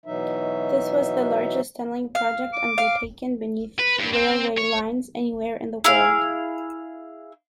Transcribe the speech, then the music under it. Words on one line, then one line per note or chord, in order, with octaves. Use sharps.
This was the largest tunneling project undertaken beneath railway lines anywhere in the world.
B2 E3 F#3 D#4 E5
F5
D6
F5
B4
G2
C4
C#5
E4 G#4 F5